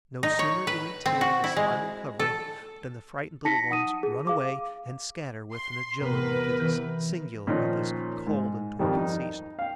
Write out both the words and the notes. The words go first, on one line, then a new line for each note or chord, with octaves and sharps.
No sooner do we tear this final covering than the frightened little ones run away and scatter with an agility that is singular at this cold and torpid season.
D#4
C#5
B4
C4
F#4
E4
G#3
A4
D#4 A5 A#6 B6 C#7
F#5 D#6 D#7
G#4
F5 D6
C6
E2 C3 B3 A#4 B4
E3 G6
A#2 D#3 F3 C#4 D#4
G#2
F2 D#3 G3
D#4
F5 G5